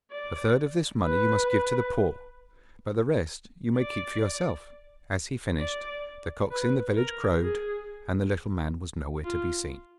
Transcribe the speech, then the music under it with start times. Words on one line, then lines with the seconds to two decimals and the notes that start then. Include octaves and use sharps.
A third of this money you must give to the poor, but the rest you may keep for yourself.' As he finished, the cocks in the village crowed, and the little man was nowhere to be seen.
0.11 D5
1.03 B4
3.76 D5
5.59 D5
6.51 B4
6.96 A#4
7.43 G#4
9.24 F4